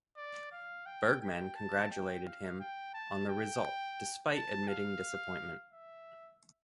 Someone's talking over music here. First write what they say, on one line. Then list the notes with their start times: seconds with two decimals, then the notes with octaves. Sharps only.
Bergman congratulated him on the result despite admitting disappointment.
0.17 D5
0.52 F5
0.86 G5
1.21 G5
1.55 A5
1.91 G5
2.25 F5
2.60 G5
2.94 A5
3.29 G5
4.34 A5
4.68 F5
5.72 E5